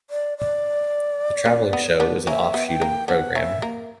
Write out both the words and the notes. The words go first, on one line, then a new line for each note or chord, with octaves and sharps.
The travelling show was an offshoot of the program.
D5
D5
A#3 C#4
B3
B3 D4
A#3 C#4 E5
B3
G5
A#3
B3 D4 F#5
A#3 C#4 E5
A#3